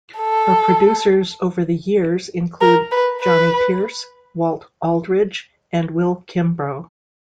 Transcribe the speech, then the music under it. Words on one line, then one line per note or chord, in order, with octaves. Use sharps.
Her producers over the years include Johnny Pierce, Walt Aldridge, and Will Kimbrough.
A4
A#4
B4
B4